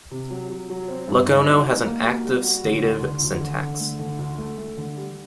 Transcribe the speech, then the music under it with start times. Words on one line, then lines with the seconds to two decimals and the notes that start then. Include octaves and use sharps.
Lokono has an active-stative syntax.
0.11 C3
0.30 F#3
0.50 F#3
0.70 F#3
0.88 C4
1.08 G2
1.28 D#4
1.47 F#4
1.66 G3
1.86 A#3
2.05 F#4
2.25 G3
2.44 F#4
2.64 D3
2.83 D2
3.02 D2
3.22 D2
3.41 D3
3.60 D3
3.80 A3
3.99 D3
4.19 D2
4.38 A3
4.58 A3
4.77 D3
4.97 G3